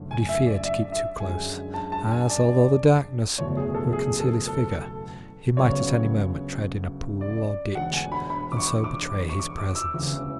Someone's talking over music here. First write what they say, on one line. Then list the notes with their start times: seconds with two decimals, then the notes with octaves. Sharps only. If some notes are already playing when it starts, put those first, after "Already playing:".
But he feared to keep too close, as, although the darkness would conceal his figure, he might at any moment tread in a pool or ditch, and so betray his presence.
Already playing: F#1 F#2 D3 A3
0.11 G#5
0.29 E5
0.47 D5
0.65 E5
0.92 E5
1.19 F#2 D3 G#3 G#5
1.74 A5
1.92 A5
2.11 G#5
2.30 D5
3.38 F#1 E2 B2 A3 C#5
3.57 G#4
3.74 A4
3.93 G#4
4.20 A4
4.47 A4
5.57 D2 C#3 F#3 B3 C#5
7.21 D5
7.75 E1 D2 D3 F#5
7.94 G#5
8.12 B5
8.30 B5
8.52 D6
8.57 C#6
8.84 D6
9.29 C#6
9.39 D6
9.58 D6
9.75 E6
9.94 E1 D2 C#3 E3